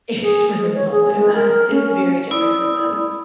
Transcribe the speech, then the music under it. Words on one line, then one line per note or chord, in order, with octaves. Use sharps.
It is really lovely, I'm not It's very generous of them.
G#4
G#3
C#5
G#4
G#3
A#4
C#4
E4 D5 B5 D#6